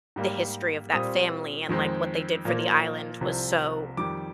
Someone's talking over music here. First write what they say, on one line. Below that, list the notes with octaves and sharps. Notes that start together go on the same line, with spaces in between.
the history of that family and, like, what they did for the island was so
G#2 G3 A#3
A#2 G3 C4 D#6
F2 D#3 G#3 C4
A#2 F3 A#3
C2 C3 F3
F2 D#3 G3 D6